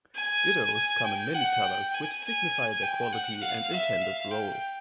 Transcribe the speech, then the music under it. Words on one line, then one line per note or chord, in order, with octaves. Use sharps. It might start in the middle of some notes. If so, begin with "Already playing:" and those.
Dittos come in many colors, which signify their quality and intended role.
G#5
G5
F#5
G5
G#5
G#5
G5
F#5
F5
E5
F5
G5